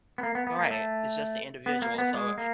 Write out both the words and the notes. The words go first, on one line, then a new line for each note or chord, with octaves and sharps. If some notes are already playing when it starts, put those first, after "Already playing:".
Right. It's just the individual. So
B3
A#3
B3
B3
A#3
A3
B3
A#3
B3
G#3
A#3